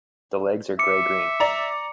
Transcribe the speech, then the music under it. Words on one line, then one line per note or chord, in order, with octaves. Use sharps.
The legs are grey-green.
E5 D6 C#7
D5 A#5